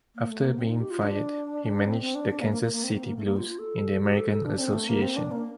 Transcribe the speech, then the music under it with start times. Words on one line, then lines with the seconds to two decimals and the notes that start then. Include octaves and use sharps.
After being fired, he managed the Kansas City Blues in the American Association.
0.15 A#3
0.29 A3
0.44 A#3
0.59 C4
0.68 D#4
0.80 G4
0.91 F4
1.02 D4
1.87 C4
2.01 C4
2.15 D4
2.30 D4
2.41 A#3
2.52 A#3
2.62 A#3
2.73 A#3
2.83 C4
2.94 C4
3.05 A#3
3.16 A3
3.26 A#3
3.37 F4
3.48 F4
3.59 A4
4.02 G4
4.16 A4
4.30 A4
4.45 D4
4.59 C4
4.73 A3
4.88 A#3
5.02 C4
5.17 D4
5.31 A#3